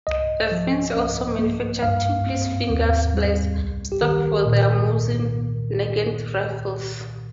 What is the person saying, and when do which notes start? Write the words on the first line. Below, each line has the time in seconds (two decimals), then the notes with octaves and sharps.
The Finns also manufactured two-piece "finger splice" stocks for their Mosin-Nagant rifles.
0.07 C2 D#5
0.52 F3
0.95 C2
1.39 A#3
1.82 G2 F5
2.27 C4
2.70 D#2
3.14 G3
3.58 C2
3.92 G4
4.01 D#3 A#4
4.46 A#2